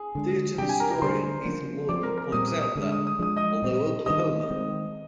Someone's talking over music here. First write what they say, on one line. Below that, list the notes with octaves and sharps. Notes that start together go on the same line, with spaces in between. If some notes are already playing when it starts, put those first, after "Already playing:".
Theater historian Ethan Mordden points out that, although Oklahoma!
Already playing: G#4
D3 G#3 D4
C3 G3 D4 G4 G5
G#5
A#4 A#5
A#4 A#5
D3 G3 D4 C5 C6
F3 A#3 D4
F3 C4 D5 D6
A#4 A#5
A#4 A#5
A#2 G3 C4 D#6
D#6
D#6
D3 G#3 D4 D#6
D#6
D#6
F3 G#3 D4 D#6
D#5 D#6
A#2 G3 C4
D#3 G3 D4 D#5 D#6
D#3 G#3 C4